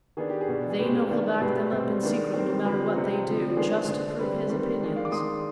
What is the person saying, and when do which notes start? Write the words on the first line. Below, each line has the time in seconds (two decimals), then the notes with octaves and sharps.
They know he'll back them up in secret, no matter what they do, just to prove his opinions.
0.17 D#3 B3 D4 G#4
0.29 G4
0.41 G#4
0.48 B2 B3 D4
0.70 G#4
0.79 B2 G#3 C4 G4 B4
1.10 D#3 B3 D4
1.41 B2 G#3 B3 D4 G4 B4
1.72 B2 G3 C4
2.03 D#3 G#3 B3 D4
2.34 D#3 G3 C4
2.64 D3 F3 C4 G4 B4
2.95 C3 G3 C4
3.26 D3 F3 C4
3.50 D5
3.57 D#3 G#3 B3 D4 G#4 C5
3.88 D3 G#3 D4
4.19 D3 G3 C4 B4 D5
4.49 D#3 G3 C4
4.81 D#3 G#3 D4
4.96 D5 F5
5.05 D6
5.12 D#3 G#3 D4 C6 D#6